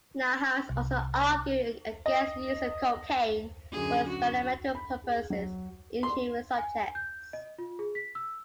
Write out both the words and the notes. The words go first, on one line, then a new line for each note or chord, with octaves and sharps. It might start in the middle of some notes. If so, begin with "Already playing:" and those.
Nahas also argued against the use of cocaine for experimental purposes in human subjects.
C2
D#5
F#2 D3 G#4
F#4
B5
G#4
F#3
C6
G#5
G6
D#5
F4
G#4
B6
E6